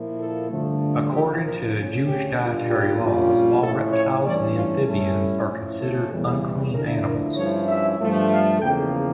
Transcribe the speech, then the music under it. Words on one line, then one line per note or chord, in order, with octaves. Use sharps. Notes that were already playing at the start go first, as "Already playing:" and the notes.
According to Jewish dietary laws all reptiles and amphibians are considered unclean animals.
Already playing: A#2 F3 A#3 E4
A4
G2 D3 F3 A3
A#1 A#2 F3 A#3 G4
A#4
D2 C#3 F3 C#4
G4
A#2 G3 D4 F4
G4
A#1 A#2 G3 C#4 F4
A2 F3 C#4 E4 A4
C#5
G2 E3 A3 C#4 D5
F4
A2 G3 C#4 E4 A4
A2 F3 C#4 E4
A4
E2 C#3 E3 G3
D2 D3 F3 A3 E4 A#4
A#4
G2 F3 C#4 E4 C#5
E5
G2 F3 A3
F5
E2 C#3 F3 A#3 G5